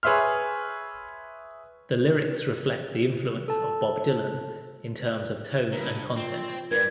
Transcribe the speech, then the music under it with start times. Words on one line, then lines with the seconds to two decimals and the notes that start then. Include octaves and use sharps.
The lyrics reflect the influence of Bob Dylan, in terms of tone and content.
0.03 G#4 B4 C#5 E5 C6 F6
3.48 A4 A5
5.72 G2 A#4
6.16 C4 F4
6.71 G2 A#4 B4 D5 G#6